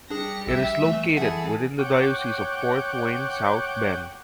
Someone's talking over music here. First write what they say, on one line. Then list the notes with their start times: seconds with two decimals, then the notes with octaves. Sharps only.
It is located within the Diocese of Fort Wayne-South Bend.
0.10 G3 D4 G4 G#4 A#6 C#7
0.47 A#1 E5 E6
0.83 E3 A3
1.17 E3 G#4 A4 E5 F#5
1.79 C#5 F#5 G5 D6